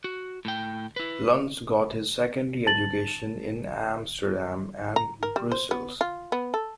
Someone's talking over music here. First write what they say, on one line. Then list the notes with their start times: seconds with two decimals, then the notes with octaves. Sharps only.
Luns got his secondary education in Amsterdam and Brussels.
0.04 F#4
0.45 A2 G5
0.96 E4 B4
2.67 A5 A6 F#7
4.96 A#5
5.23 A#4
5.36 G3
5.52 C5
5.71 B3
6.01 F4
6.32 B3
6.54 A4